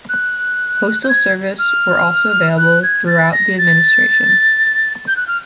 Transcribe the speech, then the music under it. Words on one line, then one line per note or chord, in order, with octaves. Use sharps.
Postal service were also available throughout the administration.
F#6
G6
G#6
F6
F#6
G#6
A6
A#6
A6
G6
F#6
F6